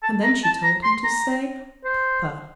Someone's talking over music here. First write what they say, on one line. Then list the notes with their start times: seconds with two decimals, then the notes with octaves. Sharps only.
And then she told him to say papa.
0.03 A5
0.23 A#5
0.44 A5
0.63 A#5
0.84 C6
1.04 A#5
1.85 C5